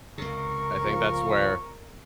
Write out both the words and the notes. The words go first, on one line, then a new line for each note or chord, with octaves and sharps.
I think that's where
C#2 C3 A#4 C#6
F3